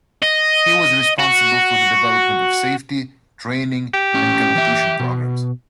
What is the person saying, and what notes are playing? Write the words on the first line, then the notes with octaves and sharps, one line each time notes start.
He was responsible for the development of safety, training and competition programs.
D#5
F#4
G4
A2 C#4
E3 E5
B2